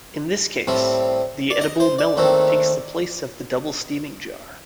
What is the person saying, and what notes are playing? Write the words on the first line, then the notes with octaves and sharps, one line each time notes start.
In this case, the edible melon takes the place of the double steaming jar.
A2 G3 C4
D5
D#5
C5
D5
D#2 D#3 A3 C4